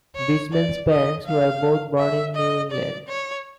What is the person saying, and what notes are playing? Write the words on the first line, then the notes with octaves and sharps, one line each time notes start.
Bridgman's parents were both born in New England.
C#5
D5
D#5
F5
E5
D#5
D5
C#5